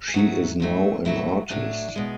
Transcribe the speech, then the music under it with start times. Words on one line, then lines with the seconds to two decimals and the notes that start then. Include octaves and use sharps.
She is now an artist.
0.08 G#4
0.14 G#2 F#3 A3 F#4
0.60 G#2 F#3 A3
1.05 A2 F#3 A3 E4
1.50 A2 F#3 A3 D4
1.96 B2 G#3